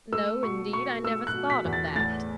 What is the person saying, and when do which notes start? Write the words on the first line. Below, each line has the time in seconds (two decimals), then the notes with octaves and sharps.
"No, indeed, I never thought of that."
0.13 A3 E6
0.43 B2 C#6
0.73 B2 C#6
1.04 A3 E6
1.27 F#6
1.34 B2
1.50 B6
1.65 E2
1.73 A6
1.95 A2 A6